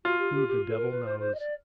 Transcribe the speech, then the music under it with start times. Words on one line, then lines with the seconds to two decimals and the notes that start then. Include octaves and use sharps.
Who the devil knows?
0.04 F4 F#4
0.18 G4
0.33 G4
0.48 G4
0.69 A4
0.76 A#4
0.91 B4
1.05 C5
1.19 C5
1.34 D#5
1.39 D5